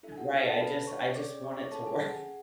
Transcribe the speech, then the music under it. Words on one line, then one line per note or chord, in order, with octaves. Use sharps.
Right, I just I just want it to work,
D4 E4 A4 E5 G#5
F#4 F#5
G#4 G#5
A4 A5
B4 B5
C#5 C#6
C#4 G#4 D5 D6
C#6
D6
C#5 C#6
A4 A5
G#4 G#5
G#4 G#5
F#5
G#4 G#5